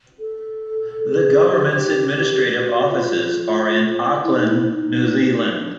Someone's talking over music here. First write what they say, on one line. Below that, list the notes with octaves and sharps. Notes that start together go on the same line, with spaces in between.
The government's administrative offices are in Auckland, New Zealand.
A4
G#4
G#4
G4
F#4
F4
E4
D#4
E4
D#4
D4